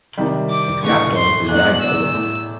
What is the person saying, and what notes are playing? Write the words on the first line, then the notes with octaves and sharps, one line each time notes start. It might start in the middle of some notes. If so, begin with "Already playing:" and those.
Its capital is Rheinfelden.
C3 D#3 G3
D6
A2 E3 A3 D4 C#6
C6
E2 B2 F#3 A3 D4 F#6
E6
A2